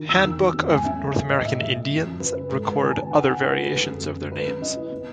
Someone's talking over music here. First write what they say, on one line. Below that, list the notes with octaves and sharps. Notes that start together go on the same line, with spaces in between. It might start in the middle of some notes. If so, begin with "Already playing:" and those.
"Handbook of North American Indians" record other variations of their names.
Already playing: D#3
E2 E6
D#3
F#3
E2
G#2 G#5
C#4 E5
A3
A3
A2 D#5
A2 E5
A2 E5
A3
F#2
F#2
F#2 B4
C#3 B4
G#2 A4
G#3 B4
D#3 G#5
A5
B3
G#5
D#4 F#5
G#5
D#4 F#5
D#4 B4
D#4 A4
B4
G#3 A4
F#2
F#2
F#2
G#3 B4
C#4
C#4 D#5
E4
B3